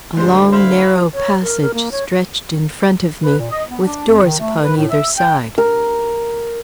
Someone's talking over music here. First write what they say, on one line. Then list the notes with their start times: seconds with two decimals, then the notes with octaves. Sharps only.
A long narrow passage stretched in front of me, with doors upon either side.
0.17 D2 G#2 G3 C5
0.52 E4 C5 F5 B5
1.14 C#5
1.42 A#4
1.61 A#4
1.74 A#3
1.92 C#5
3.22 B4
3.38 A#2
3.51 D#5
3.69 B3
3.84 D4
4.07 F2
4.23 D#3
4.39 A3
4.61 B4
4.76 A2
4.91 E5
5.16 G5
5.58 A#4